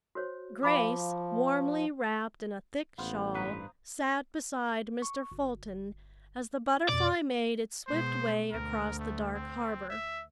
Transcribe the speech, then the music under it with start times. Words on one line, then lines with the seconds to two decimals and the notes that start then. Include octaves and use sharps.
Grace, warmly wrapped in a thick shawl, sat beside Mr. Fulton as the Butterfly made its swift way across the dark harbor.
0.15 F#4 C5 C#5
0.63 F3 F5 B5 D6
2.98 A1 B3 C5 F5
3.34 G2 B4 F5 A#5 D#6
5.02 C#6
5.32 G1
6.89 F2 B2 D5
7.87 B2 G#3 C5
8.52 D2 A#4
9.00 A3
9.34 C4
9.90 E5